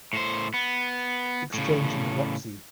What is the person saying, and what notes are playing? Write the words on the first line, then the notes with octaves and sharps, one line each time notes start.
Exchange, and The Roxy.
A2 C5
B3
A2 C#3